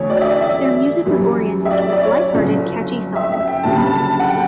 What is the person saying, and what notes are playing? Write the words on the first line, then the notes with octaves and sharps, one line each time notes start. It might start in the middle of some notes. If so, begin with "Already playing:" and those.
Their music was oriented towards lighthearted, catchy songs.
Already playing: E2 D3 F#3 A3 C#5
D5
E5
D5
E5
F#2 E3 G3
E5
D5
D5
C#5
G1 F#2 C#3
E5
E5
G5
F#1 F#2 D3 G3 A5
B5
A5
F#5
G5